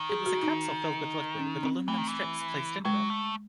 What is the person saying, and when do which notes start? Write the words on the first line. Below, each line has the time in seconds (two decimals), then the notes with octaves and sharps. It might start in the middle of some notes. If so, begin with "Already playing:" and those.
It was a capsule filled with liquid, with aluminium strips placed into it.
Already playing: D#3
0.09 G#4
0.26 F#4
0.43 D#4
1.39 C#4
1.63 C4
1.88 E3 A3
1.98 D#3
2.07 E3
2.85 F#3 G#3
3.09 A3